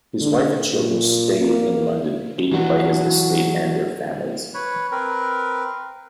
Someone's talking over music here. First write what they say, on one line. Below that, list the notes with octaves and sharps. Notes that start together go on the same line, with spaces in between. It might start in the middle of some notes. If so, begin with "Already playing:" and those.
His wife and children stayed in London, aided by his estate and their families.
D3
A#2
A#3
E3 F#3 F#4
B4 C#5
C4 A#4 B4